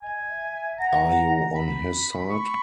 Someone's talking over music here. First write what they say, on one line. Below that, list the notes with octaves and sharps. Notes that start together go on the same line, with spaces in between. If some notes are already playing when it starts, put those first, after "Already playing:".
Are you on his side?
D#5 G#5
E5
E5
F#5 A#5
B5
B5 C#6